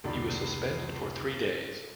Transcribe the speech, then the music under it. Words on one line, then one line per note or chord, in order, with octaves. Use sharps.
He was suspended for three days.
F1 C#2 D#3 D5 B5